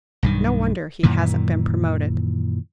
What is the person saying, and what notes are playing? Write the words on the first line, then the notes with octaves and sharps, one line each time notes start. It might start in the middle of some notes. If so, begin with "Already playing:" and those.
No wonder he hasn't been promoted.
B1 G2 D#3
F#2 A#2 D#3 E3